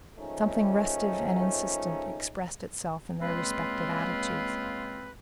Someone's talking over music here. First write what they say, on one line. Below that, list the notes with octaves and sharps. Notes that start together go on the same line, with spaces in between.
Something restive and insistent expressed itself in their respective attitudes.
D#3 F3 G#3 A3 C#4 D#4
C#3 G#3 A#3 C4 F4 B4